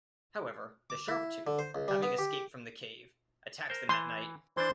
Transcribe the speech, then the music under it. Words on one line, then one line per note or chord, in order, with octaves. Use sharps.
However, the Sharptooth, having escaped from the cave, attacks them that night.
D6
E4
D3
C5
C#2
G3
B3
G4
A#4 C5
E3 C6
E3 D4 C5 C6